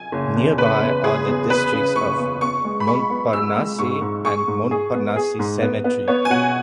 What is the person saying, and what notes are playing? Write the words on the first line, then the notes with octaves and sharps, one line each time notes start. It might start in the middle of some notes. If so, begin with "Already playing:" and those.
Nearby are the districts of Montparnasse and Montparnasse Cemetery.
Already playing: G#5
F#1
E2
F#1 B4
E2
F#1 G#4
E2
E2 B4
C#3
F#1 C#6
E2
B3 C#6
G#3
B5
G#3 C#6
B3
G#4 E6
G#3
G#2 C#6
G#2
G#4 C#6
G#2
G#4
B3
G#4
G#2
B3
B3
B3 C#5
G#5
B2 F#5